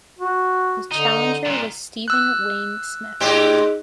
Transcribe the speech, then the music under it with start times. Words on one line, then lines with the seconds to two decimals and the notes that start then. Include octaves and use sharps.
His challenger was Steven Wayne Smith.
0.19 F#4
0.91 D3 D#4
1.46 C2 A#2
2.08 E6 F#6
3.20 A2 D#4 G4 G#4 C5 D#5